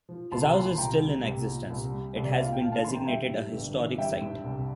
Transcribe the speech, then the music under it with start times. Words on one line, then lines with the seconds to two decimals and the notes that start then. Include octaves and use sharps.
His house is still in existence; it has been designated a historic site.
0.09 F3
0.32 C2 A5 C6
0.43 G5 A#5
0.54 A#2 A5 C6
0.66 A5 C6
0.77 C2 G5 A#5
1.01 G3
1.24 C2
1.47 A#2
1.70 C2
1.92 G3
2.16 C2
2.25 D5
2.33 E5
2.38 A#2 F5
2.53 G5
2.61 G1 F5 A5
2.72 F5 A5
2.83 E3 A5 C6
2.95 G5 A#5
3.07 G3 E5 G5
3.29 G2
3.53 G1
3.76 E3
3.98 G3 E5 G5
4.21 G2
4.44 C2